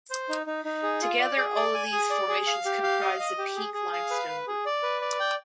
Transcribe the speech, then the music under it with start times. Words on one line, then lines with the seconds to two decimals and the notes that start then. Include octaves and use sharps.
Together all of these formations comprise the Peak Limestone Group.
0.11 C5
0.29 D#4
0.46 D#4
0.65 D#4
0.83 G#4
1.02 F4
1.19 D5
1.37 G#4
1.56 D5
1.74 G#5
1.93 G#4
2.10 D5
2.28 G#4
2.47 F5
2.65 G4
2.83 F5
3.01 D#5
3.20 D#5
3.38 G4
3.56 G#4
3.74 G#4
3.93 F5
4.11 B4
4.28 B4
4.47 G#4
4.66 D5
4.83 B4
5.01 D5
5.20 G5